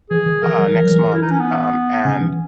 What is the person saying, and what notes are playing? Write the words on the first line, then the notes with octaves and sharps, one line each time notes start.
uh, next month, um, and
E3 G#4
D#3
E3 A#4
F#3
E3
F#3
E3
E4
D#4
C#4
B3
C#3 C#4
E3